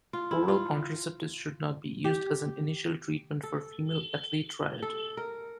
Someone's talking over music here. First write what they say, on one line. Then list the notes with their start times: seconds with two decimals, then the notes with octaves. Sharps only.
Oral contraceptives should not be used as an initial treatment for female athlete triad.
0.13 F4
0.31 E4
0.48 F4
2.04 G4
3.43 A4
4.82 A4
5.17 A#4